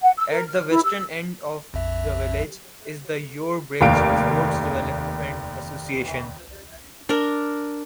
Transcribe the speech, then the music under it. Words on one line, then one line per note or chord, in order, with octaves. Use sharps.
At the western end of the village is the Yorebridge Sports Development Association.
F#5
E6
A#4
F6
E4
E6
A#1 F2 E5
F1 D#2 F5 D7
D4 A#4